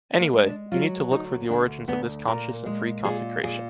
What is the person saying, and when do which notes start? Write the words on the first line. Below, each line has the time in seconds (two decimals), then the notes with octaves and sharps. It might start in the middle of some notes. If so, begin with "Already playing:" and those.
Anyway, you need to look for the origins of this conscious and free consecration.
0.20 A#3
0.33 G#3
0.46 D4
0.72 F#3 F4
1.11 D2 D#4
1.49 D2 D4
1.88 D2 B3
2.27 A#2 A#4
2.66 G#3
3.04 A#2 G#4
3.43 A#2 G#4